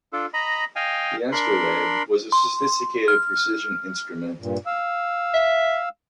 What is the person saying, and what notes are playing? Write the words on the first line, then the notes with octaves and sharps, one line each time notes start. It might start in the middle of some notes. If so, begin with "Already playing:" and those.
The astrolabe was a sophisticated precision instrument.
D4 F4 A4
D#5 A#5 B5
D#5 F5 G5 G#5
D4 A#4 B5 C6
C6
F6
G2 A#2
F5 E6
E5